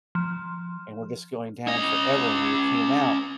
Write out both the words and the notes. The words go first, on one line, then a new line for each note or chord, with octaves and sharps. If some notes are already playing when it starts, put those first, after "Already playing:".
and were just going down forever, and when you came out,
F3
C#4 D#5